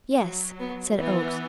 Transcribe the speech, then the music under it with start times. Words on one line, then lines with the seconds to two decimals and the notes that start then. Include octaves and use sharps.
"Yes," said Oakes.
0.21 F#3
0.59 B3
0.98 E3 B3